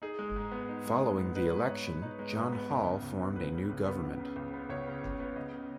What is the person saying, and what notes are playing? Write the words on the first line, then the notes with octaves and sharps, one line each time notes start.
Following the election, John Hall formed a new government.
D#4 G#4
G#3
G#2
B3
D#4
G#3
G#2
B3
D#4 B4
G#3
G#2 C#5
B3
D#4
G#3
G#2
B3
C#2
C#3
C#2
B3
C#2 B4
C#3
C#2
B3
C#2
C#3
C#2
B3
C#2 C#5
C#3
C#2
B3
C#2 D#5
C#3